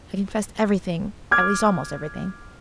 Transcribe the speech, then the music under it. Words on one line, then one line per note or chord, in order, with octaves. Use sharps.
I confessed everything--at least, almost everything.
D6 F6 G#6